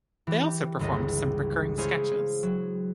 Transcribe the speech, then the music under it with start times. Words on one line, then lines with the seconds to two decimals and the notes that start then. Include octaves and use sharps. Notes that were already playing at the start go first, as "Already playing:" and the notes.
They also performed some recurring sketches.
0.27 E3 G4
0.79 G1 C#2 D#5
1.77 G#3 E4 G#4 C5 C#5 F5
2.43 F#3